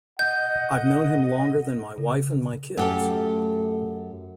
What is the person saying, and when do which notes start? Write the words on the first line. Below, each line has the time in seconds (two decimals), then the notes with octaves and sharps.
I've known him longer than my wife and my kids.
0.19 D#5 F#5 G6
1.98 C#3
2.77 F#2 A3 G4 A4